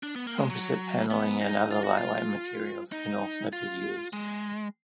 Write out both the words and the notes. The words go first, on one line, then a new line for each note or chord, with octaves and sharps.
Composite paneling and other lightweight materials can also be used.
D4
B3
A#3
G#3
F#3
B3
D#4
F4
F#4
F4
D#4
F4
G#3